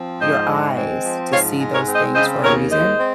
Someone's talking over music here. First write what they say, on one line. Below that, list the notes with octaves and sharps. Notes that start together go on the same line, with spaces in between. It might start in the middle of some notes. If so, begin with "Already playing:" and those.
your eyes to see those things for a reason,
Already playing: F3 C4
G#2 C5 D#5
G#3
C4
F3
G#2 C#5 F5
G#3
A#4 C#5
C4
C5 D#5
C#3 C5 D#5
D#2 A#4 C#5
G#3 C5 D#5
C4